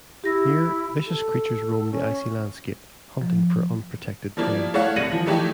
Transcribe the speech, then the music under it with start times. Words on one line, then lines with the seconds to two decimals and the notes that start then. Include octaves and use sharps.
Here, vicious creatures roam the icy landscape, hunting for unprotected prey.
0.24 E4 G4 A#6
1.06 A4
1.91 C#4
3.22 F3
4.37 F3 G3 A#3 D4 E4
4.74 A3 E4 C#5 F5 F#5
4.96 C2 G3 A#6 C#7 D#7 F#7
5.12 E3 F3
5.26 E3 F3 A3 D#4 E4 G4